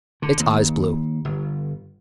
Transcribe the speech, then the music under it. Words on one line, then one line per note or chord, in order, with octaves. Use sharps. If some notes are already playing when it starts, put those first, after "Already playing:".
Its eyes blue.
D3
D#2
G1